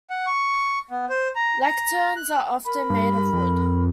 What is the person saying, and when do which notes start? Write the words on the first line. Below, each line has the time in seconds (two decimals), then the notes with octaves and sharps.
Lecterns are often made of wood.
0.10 F#5
0.26 C#6
0.91 B3
1.09 C5
1.36 A#5
1.62 A#5
2.16 F#6
2.64 A#4 B5
2.90 G2
3.33 F2